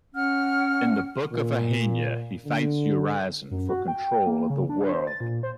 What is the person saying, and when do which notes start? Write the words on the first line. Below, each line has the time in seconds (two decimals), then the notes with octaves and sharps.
In "The Book of Ahania" he fights Urizen for control of the world.
0.15 C#4 F#5 F6
1.31 A#2
2.46 D3
3.51 F#2
3.69 F#4
3.88 G5
4.27 A#3
4.50 C#3
4.69 D4
4.94 C5
5.07 A6
5.20 A#2
5.43 C5